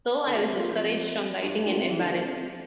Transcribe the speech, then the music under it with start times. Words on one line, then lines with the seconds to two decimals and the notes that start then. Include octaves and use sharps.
So I was discouraged from writing and embarrassed.
0.27 D3
0.35 A#2
0.42 C3
0.57 A#2
0.73 F2
1.42 G2
1.66 A#2
1.78 C3
1.90 E3
2.00 D3
2.12 A#2
2.24 F2
2.35 F2